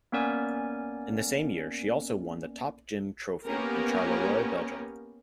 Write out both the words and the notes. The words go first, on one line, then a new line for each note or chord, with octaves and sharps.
In the same year she also won the Top Gym Trophy in Charleroi, Belgium.
A#3 B3 C#4 A#4 D5 G#5
A#3 B3 C#4 G4 A#4